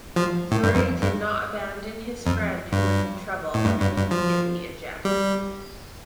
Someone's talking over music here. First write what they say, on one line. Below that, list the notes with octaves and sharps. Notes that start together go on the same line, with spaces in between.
Yuri did not abandon his friend who was in trouble and immediately eject.
F3
A2
G2
F2
G2
F2
G2
A2
G2
G2
G2
F3
G3